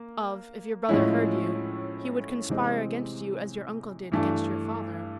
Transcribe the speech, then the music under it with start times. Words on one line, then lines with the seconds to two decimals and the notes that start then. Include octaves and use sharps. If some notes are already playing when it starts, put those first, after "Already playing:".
"Of, if your brother heard you, he would conspire against you as your uncle did against your father."
Already playing: A#3
0.89 A2 F3 G#3 C#4 E4
2.50 C3 E3 G#3 C4
4.12 G2 E3 A3 D4